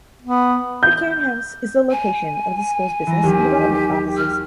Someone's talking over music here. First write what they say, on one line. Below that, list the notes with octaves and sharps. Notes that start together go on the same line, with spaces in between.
Pitcairn House is the location of the school's business and development offices.
B3
G6
G#5
E3 A#5
D#2 F#3 G4
F6